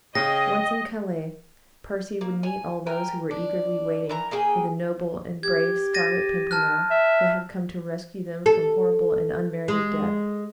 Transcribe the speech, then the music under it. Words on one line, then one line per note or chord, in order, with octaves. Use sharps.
Once in Calais, Percy would meet all those who were eagerly waiting for the noble and brave Scarlet Pimpernel, who had come to rescue them from horrible and unmerited death.
C#3 D#5 G5 A#6
A#3
G#5
A#4 G5 G#5 A#5
D4
E3 A#4 A#5
A#3 G#4 G5 G#5
G4 G#6
A6 A#6 D#7
A5 F6 F#6
E5
A4
G#3